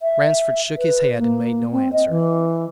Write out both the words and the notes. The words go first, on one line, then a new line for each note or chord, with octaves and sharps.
Ransford shook his head and made no answer.
E5
B4
A#3
C4
D#5
E3